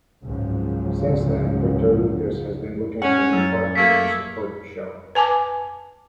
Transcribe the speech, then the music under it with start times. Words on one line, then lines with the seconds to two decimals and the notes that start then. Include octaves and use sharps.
Since then, Victor Lucas has been looking for new partners to support the show.
0.23 G#1 C#2 G#2 C#3 F3 F#3
3.02 C#4 F#5 C#7
3.33 F#2 E6 A6
3.75 A3 A#3 G#6 B6
5.15 B4 G#5 A5 D6